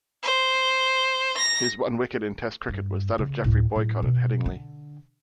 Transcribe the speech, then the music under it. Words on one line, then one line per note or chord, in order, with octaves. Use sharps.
His one wicket in test cricket was that of Geoffrey Boycott at Headingley.
C5
A#6
G2
C#3
D2 A2
A2 F#3
B2
D3